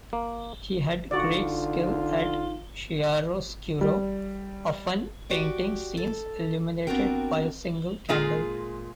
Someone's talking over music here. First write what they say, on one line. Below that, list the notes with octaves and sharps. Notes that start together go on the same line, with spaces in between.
He had great skill at "chiaroscuro", often painting scenes illuminated by a single candle.
A#3
D3 D#4 F4 F#4 D5
G3
F#4 G4 D5
A4
B3 C4 D4 F#4 A#4 G5
A#2 G#3 F4 G#4